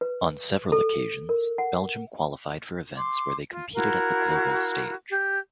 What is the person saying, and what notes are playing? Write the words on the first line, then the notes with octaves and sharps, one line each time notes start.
On several occasions, Belgium qualified for events where they competed at the global stage.
B4
A4
A#4
F#5
C6 D6
F4
E4 F#4 A#4 F5
G4